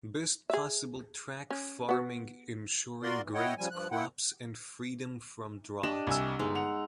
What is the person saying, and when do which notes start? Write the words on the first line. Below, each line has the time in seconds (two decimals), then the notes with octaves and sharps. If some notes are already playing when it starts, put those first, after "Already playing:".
Best possible track farming insuring great crops and freedom from drought.
0.50 G#4 E5
1.50 C#4
1.89 B3 F#4
3.03 F4 F#4 A#4 D5 C6
3.22 D2 E3
3.34 E4 C#5 D#5 F#5 G5
3.58 C#3 F3 G3 G#5
3.71 G2 F3 F#6
3.91 A#3 E4 F#5 G5
5.83 D4 G4 D#5 E7
6.07 C2 G#5 E6
6.39 G1 G#3 D#4
6.55 F#5 F7